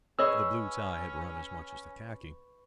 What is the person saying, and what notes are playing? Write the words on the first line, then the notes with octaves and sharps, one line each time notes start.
The blue tie had run as much as the khaki.
C#4 G#4 B4 C#5 D#5 B5 C#6 E6